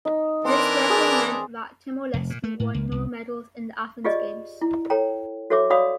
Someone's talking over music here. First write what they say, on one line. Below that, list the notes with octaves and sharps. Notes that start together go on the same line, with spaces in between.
This therefore meant that Timor-Leste won no medals in the Athens Games.
D#4
E3 C4 D4 A#4 C6
G#4 D5
F1
A#2
A3
A2
C#2
C2
F4 G4 G#4 D5 D#5
E4
A4 C#5 G5 A#5
F#4 A4 C#5 E5 D6
F#4 C#5 D5 F5 B5 D#6